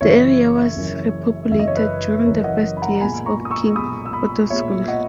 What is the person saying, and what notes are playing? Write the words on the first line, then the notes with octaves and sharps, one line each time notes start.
The area was repopulated during the first years of King Otto's rule.
F#1 F#2 E3 C#5 E5
F#1 F#2 E3
F#1 F#2 E3 E5
D#5
C#5
B4 D#5
F#1 F#2 E3 A#4 C#5
D#5 F#5
B5
F#5 A#5
A#5
B1 A#2 G#3 G#5 B5
A#5 C#6
D#6
C#6 E6
B1 A#2 G#3 B5 D#6
E6
B5 D#6
B1 A#2 G#3 C#5 E5
D#5 F#5